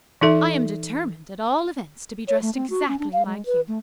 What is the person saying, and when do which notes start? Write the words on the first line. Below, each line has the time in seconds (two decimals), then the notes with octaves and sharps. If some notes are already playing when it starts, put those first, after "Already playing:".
I am determined, at all events, to be dressed exactly like you.
0.21 E3 D#4 A4 E5
2.28 C#5
2.42 A3
2.55 C4
2.70 F#4
2.88 C#4
2.99 D4
3.13 F5
3.26 G#3
3.46 B4
3.68 A3